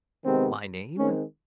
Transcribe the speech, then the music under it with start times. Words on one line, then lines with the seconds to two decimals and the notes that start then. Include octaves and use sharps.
"My name?"
0.25 C3 D#3 G#3 B3 C4
0.98 D#3 G#3 C4 C#4